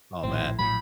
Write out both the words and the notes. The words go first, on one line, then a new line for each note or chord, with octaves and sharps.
Oh, man.
A#1 A2 C4
A#1 A2 F#3 B5